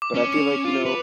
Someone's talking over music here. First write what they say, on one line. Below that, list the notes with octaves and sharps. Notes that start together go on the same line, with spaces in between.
but I feel, like, you know,
D6
C#4
C#7 F7
F4
B4